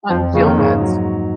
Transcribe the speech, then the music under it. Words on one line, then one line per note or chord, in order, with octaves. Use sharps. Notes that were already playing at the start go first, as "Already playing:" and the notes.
on feel goods.
F2 F3
C#3 F3 A#3 C#4
D#3
G#2 C#3
F#3